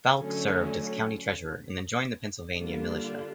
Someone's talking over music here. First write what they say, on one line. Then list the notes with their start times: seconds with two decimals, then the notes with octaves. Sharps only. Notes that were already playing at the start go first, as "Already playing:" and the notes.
Faulk served as county treasurer and then joined the Pennsylvania militia.
0.19 D3 F#3 A3 C#4
2.57 D3 G3 A#3 D4 F4